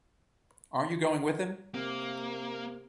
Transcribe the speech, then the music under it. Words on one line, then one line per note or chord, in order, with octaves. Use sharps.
Aren't you going with him?
C3 A#3